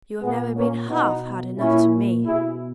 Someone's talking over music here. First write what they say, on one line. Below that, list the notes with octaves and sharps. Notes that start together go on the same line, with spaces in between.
You have never been half hard enough to me.
A#2 G#3 B3
A#3 C#4
B2 B3 D#4
A#2 C#4 E4
B2 E4 G#4